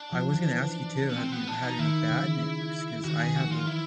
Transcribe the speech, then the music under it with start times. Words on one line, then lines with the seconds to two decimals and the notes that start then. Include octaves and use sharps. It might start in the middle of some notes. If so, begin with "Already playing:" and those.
I was gonna ask you too, have you had any bad neighbors? 'Cause I have a
Already playing: D4
0.13 F3
0.34 E3
1.09 B3
1.16 C4
1.32 B3
1.48 D4
1.64 D#4
1.79 D#3 E4
2.11 C#3
3.04 D#3 F#4
3.20 G#4
3.25 D#3
3.35 F3 F#4
3.46 E3
3.51 F4
3.66 E4